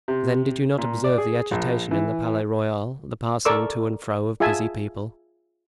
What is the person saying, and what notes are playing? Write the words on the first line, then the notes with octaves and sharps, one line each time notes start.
Then did you not observe the agitation in the Palais Royal, the passing to and fro of busy people?
C3
A#2
D5
G#4
A#1
E3
A4 A#4 D5 C#6 D6 E6
F4 G#4 E5 G#5 A5